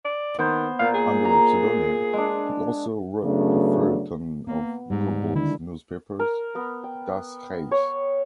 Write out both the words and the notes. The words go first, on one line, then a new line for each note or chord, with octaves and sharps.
Under a pseudonym he also wrote the Feuilleton of Goebbels newspapers “Das Reich”.
D5
D#3 B3 C5
A#2 F5
G#4
A#5
G#3 D4
F#2 C#3 F#3 A3 B3 D4
A#3 B3
G#2 G3 G#3
D3 D#3 D4 E4
A#4
B3
G5
C#5